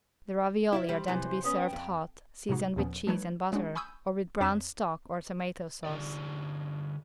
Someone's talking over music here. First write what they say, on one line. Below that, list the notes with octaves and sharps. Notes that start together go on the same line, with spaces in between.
The ravioli are then to be served hot seasoned with cheese and butter or with brown stock or tomato sauce.
E4 D5 E5 F5
G3 C5
C3 E3
B3 C#4 D#6
G5
F2
A2 C3 G#3 D#4 F#4
D#2 A#2 F3 B3 C#4
F3 G3 A3 D#4 B4 C#5
F#3 G#3 C#4 D4 F#4
G#5 B5 C#6 D#6 E6 G6
F2 D4 C#5 D6 B6 E7
D3 D#4 G4 D5